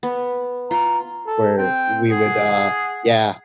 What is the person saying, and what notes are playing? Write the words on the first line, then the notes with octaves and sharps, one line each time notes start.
where we would, uh yeah,
B3
F4 A#5
A4
C4 G5
G#4 F#5